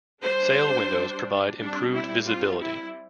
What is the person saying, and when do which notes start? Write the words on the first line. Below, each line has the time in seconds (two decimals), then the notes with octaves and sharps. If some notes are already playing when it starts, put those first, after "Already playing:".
Sail windows provide improved visibility.
0.21 G3 D4 C5
1.58 G3 C4 D4
1.92 E4
2.26 F4
2.61 E4